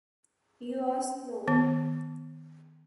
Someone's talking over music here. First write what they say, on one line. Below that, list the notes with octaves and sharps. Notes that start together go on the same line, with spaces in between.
You are slow!
D#3 B3